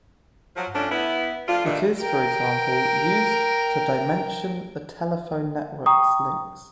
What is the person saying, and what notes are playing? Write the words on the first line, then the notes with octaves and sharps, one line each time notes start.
It is, for example, used to dimension a telephone network's links.
F3 F#3
F3 A3 C#4 D4
B3 E4
F3 A3 D4 F4
D2 G2 A#2 D#3 D4 E5
A#4 G5
G5 A#5 C#6 D#6